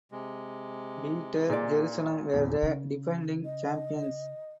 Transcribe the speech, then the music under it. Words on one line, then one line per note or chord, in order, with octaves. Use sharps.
Beitar Jerusalem were the defending champions.
C3 G#3
A#2 G#4 D5
D#1 E2
C#3
D#5